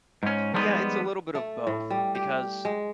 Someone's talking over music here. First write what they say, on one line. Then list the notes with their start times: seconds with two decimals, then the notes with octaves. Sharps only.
Yeah, it's a little bit of both, because,
0.23 G#2 C#4
0.54 F3 G3 G#3 A#3 B3 D#4
1.35 A3
1.67 A2
1.90 G3
2.15 G4
2.65 G#3